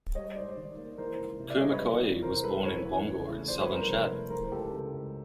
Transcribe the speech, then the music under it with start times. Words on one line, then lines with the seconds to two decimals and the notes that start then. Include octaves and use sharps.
Koumakoye was born in Bongor in southern Chad.
0.15 G3 C#5 D#5
0.35 G#2 C5 D5
0.57 D#3
0.78 A#3
0.98 E3 A#4 C5
1.19 C#2
1.39 C3
1.50 D5 E5
1.60 G3 C#5 D#5
1.71 B4 C#5
1.82 E3
2.02 E2
2.22 C3 A#4 C5
2.44 G3 A4 B4
2.64 E3 B4 C#5
2.85 E2
3.06 C#3
3.27 A3
3.47 F3 C5 D5
3.61 B4 C#5
3.69 C2
3.75 A#4 C5
3.89 C3
4.09 A3
4.30 E3 A#4 C5
4.52 C#2 G4 A4
4.72 C#3
4.94 C#2